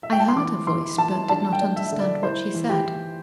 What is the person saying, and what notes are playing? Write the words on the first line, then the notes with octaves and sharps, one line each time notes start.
I heard her voice, but did not understand what she said.
E5
G5
A5
C6
E3 D6
E3 C6
E3 A5
D4 A5
G5
D4
E5
D3
D5
E4 C5
E3
G4
E3